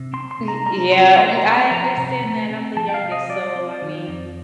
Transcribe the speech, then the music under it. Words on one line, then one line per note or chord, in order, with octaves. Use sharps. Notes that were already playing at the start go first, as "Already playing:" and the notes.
Y yeah, m I understand that I'm the youngest, so I mean
Already playing: C3
C4 C6
C6
C3
A#5
G3 A#5
C3 C6
A3 C6
A#5
C4 C6
F3 A#5
C3 A#5
A3
C4
F3 A5
G5
F5
C3
D#5
G3 D5
C4
D#3
F2